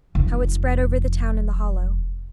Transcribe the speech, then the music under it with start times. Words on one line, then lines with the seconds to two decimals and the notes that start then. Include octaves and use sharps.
How it spread over the town in the hollow!
0.15 F1 F2